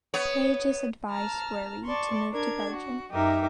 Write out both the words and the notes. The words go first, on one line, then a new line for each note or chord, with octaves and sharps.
Lages advised Wery to move to Belgium.
B3 C#5
A5 A#5 F6
D5 A5 C6 C#6
D4 A#4 G#6
F#4
F#2 D#4 G4 A#4 E5 D6